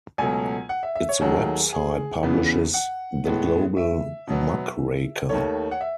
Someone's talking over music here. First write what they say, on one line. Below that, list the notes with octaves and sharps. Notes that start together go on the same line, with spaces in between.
Its website publishes "The Global Muckraker".
C#2 B2 F#3 A3 G#5
F#5
E5
E5
C#5
D#2 D#3 F#3 A3 G#4
G#4
E2 C#3 E3 B3
F#5
A2 G#3 B3
E5
B2 F#3 B3
D#2 D#3 A3 C#5
F#5
E5